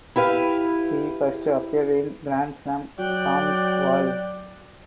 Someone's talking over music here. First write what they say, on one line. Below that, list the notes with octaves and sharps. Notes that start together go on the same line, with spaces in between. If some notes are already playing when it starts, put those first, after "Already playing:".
He first appeared in "Grand Slam Comics" Vol.
E4 G4 B4 F5
F#3 D5 G5 F#6